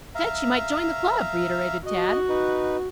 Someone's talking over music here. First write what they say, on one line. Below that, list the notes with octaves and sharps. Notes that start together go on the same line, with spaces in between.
"I said she might join the club," reiterated Tad.
E5 F5 A#5
F#4 D#5
D#4 B4